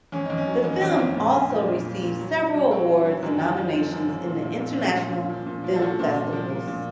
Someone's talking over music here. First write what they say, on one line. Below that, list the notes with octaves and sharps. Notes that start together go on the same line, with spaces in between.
The film also received several awards and nominations in international film festivals.
F2 C#4
F2 D#4
C#4
F#3
F2 D#4
C#4
F2 C4
C#4
F2
A#2
A#2
F3
A#2
F3
A#2
F#3
F#3
F#3
F#3 C4
F#3
F#3
F#2
F3
F3
F3
F#2
F#2
A#2
F3
A#2
F3 C#4
A#2
A#2
F3
A#2
F3
A4
F3 F#4
A#2
A#2
F3
F3
A#2